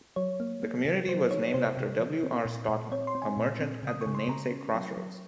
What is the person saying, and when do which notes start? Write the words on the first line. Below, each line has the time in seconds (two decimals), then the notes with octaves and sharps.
The community was named after W. R. Stotler, a merchant at the namesake crossroads.
0.16 F#3 C#5
0.40 A#3
0.63 A#3
0.85 C3
1.08 F#3 C5
1.31 D#4 C#5
1.54 C3 C5
1.77 C3
2.00 F3
2.23 C4
2.45 A#2
2.69 A#2
2.92 C4 C#5
3.07 C6
3.15 C4
3.22 G#5
3.37 A#2
3.61 C4
3.83 C#3 D#6
4.01 C#6
4.06 C#3
4.15 C6
4.28 C#3 A#5
4.51 C#4
4.74 F#3
4.97 F#3